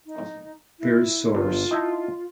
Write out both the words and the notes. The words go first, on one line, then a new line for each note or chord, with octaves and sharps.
Per source.
D#4
E4
G1 F4
D#4 E4 A5